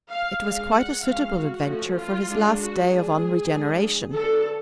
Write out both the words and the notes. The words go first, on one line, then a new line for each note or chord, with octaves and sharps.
It was quite a suitable adventure for his last day of unregeneration.
F5
G#3 D4 F5
F#5
F3 G#3 C#4 F5
F#4
F3 A3 C#4
F4
G#3 D4
F#4
G#3 D4 G#4
F3 G#3 D4
D3 F#3 B3 D4 A4